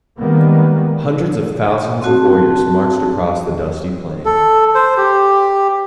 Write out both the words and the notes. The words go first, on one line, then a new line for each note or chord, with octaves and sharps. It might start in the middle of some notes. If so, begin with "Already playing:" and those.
Hundreds of thousands of warriors marched across the dusty plain.
D#3 G3 G#3 A#3 B3
C4 F#4 A5
A4
C5
G4